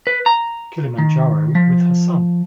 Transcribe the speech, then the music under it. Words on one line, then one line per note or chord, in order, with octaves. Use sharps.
Kilimanjaro with her son.
B4
A#5
D#3
F3